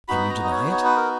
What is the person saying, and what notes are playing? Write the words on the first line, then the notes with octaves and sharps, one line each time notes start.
Can you deny it?
B3 D#4 F#4 B5
A#5
D#5
C#5
C#5
B4
A#4